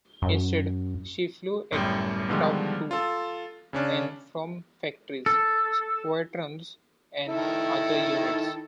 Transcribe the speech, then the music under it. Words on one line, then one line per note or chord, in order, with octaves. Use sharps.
Instead, she flew aircraft to and from factories, squadrons and other units.
F#2
G1 F#2 A2 G3
B2 D3 D#3 F3 G3 G#3
F4 A4
C#3 C#4 D4
A4
D#3 E4 A4